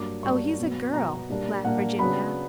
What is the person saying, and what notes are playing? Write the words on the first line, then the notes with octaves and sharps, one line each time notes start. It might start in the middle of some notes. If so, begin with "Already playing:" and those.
"Oh, he's a girl!" laughed Virginia.
Already playing: G2 F#3 A#3 D4 D6
G2 F#3 A#3 D4 C#6
B2 F#3 B3
B2 F#3 B3 A#5
A#2 G3 A#3 D4
A#2 G3 A#3 D4 F#5
C#3 F#3 B3 D4 B5